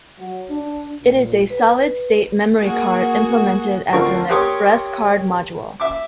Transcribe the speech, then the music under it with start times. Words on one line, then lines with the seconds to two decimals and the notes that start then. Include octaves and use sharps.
It is a solid-state memory card implemented as an ExpressCard module.
0.18 F#3
0.50 D4
1.02 A#2
1.50 B4
2.58 A#3 F#4 G#4
3.92 D2 D3 C4 F4 A#4 C#6
4.30 G4 A#4 C#5 C6 D6 D#6
5.80 E5 D6